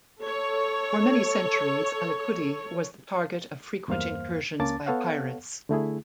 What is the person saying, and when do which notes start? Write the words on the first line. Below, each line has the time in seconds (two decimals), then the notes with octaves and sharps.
For many centuries, Alicudi was the target of frequent incursions by pirates.
0.20 A4 C#5
3.88 E2 G2 A#3 C5 F5 F6
4.60 C#2 A#3 C#4 A5 D6 A6
4.86 B3 A4 C#5 F5 F#5
5.69 D3 A3 E4 G#4